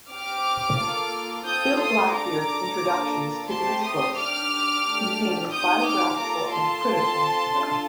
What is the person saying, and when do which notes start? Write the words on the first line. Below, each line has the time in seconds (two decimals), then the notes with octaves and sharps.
Bill Blackbeard's introductions to these books contain biographical and critical material.
0.10 C4 G4 D6 F6
0.78 A#3 F4 A4
1.45 C4 F4 A4 D#6 G6
1.79 C6 D#6
2.13 D4 A4 A#5 D6
2.81 A#3 D4 F4 A4
3.48 A3 C4 G4 A5 C6
3.82 C6 D#6
4.16 D4 G4 D6 F6
4.83 A3 D4 G4
5.51 C4 D#4 G4 D#6 G6
5.86 D6 F6
6.19 A#3 F4 A4 A#5 D6
6.53 A5 C6
6.87 C4 F4 A4
7.54 D4 F4 A4